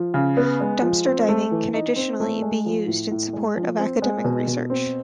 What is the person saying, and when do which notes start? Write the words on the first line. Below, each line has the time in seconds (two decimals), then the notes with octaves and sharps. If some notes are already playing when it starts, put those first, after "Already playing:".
Dumpster diving can additionally be used in support of academic research.
Already playing: F3
0.14 C#3
0.37 B3
0.60 G#3
0.82 F3
1.05 C4
1.29 A3
1.51 E3
1.74 D#4
1.96 C4
2.20 A3
2.42 G#3
2.66 F3
2.88 A2
3.11 A2
3.33 G#3
3.56 F3
3.79 C4
4.02 G#3
4.24 B2
4.47 B2
4.70 C4